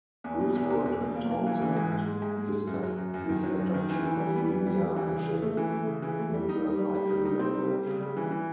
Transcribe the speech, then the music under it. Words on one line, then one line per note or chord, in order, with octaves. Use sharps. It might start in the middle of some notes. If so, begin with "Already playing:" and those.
Griswold and Townsend discussed the adoption of linear hashing in the Icon language.
E2
B2
E2
E2
E2
B2
A#3
A#3
E3
E3
G#2
G#2
G#3
G#2
G#3
G#3
F#2
F#3
F#2
F#2
D#3
F#3
F#2
D#3
E3
E3
G3
B3
E3
G3
G3
E3
C#3
C#3
A3
E3
A3
C#3
E3
A3
G3
D#4
G3
G3
G3
D#4
D#4
C4
G3
G3
C#3
G3
E3
E3